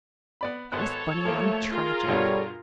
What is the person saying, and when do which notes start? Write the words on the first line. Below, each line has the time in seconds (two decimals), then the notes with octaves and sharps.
It was funny and tragic!
0.41 B3 D5 B5
0.72 G#1 B3 A4 C#5 F#6
1.25 F3 A3 A#3
1.68 F4 G#4 A#4
2.08 G2 B2 G3 F#4 A4 C#5